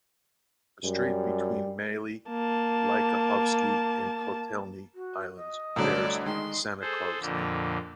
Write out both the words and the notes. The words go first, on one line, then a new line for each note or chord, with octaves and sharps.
A strait between Maly Lyakhovsky and Kotelny islands bears Sannikov's name.
F#2 G3
A#3 A5
F#4
D#5
C2 D3 F#3 A3 A4 D5
D#3 G#3 C6
G#4 A4 C5
F2 A#2 D3